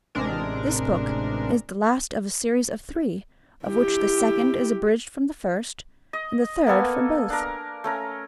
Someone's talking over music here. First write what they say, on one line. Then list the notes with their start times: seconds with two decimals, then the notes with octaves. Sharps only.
This book is the last of a series of three, of which the second is abridged from the first, and the third from both.
0.15 A1 C3 G#3 D4 A#4
3.65 E4 G4
6.13 D#5
6.67 A#3 B3 A4 G#5
7.30 D4 A#4
7.84 A3 C#4 A#4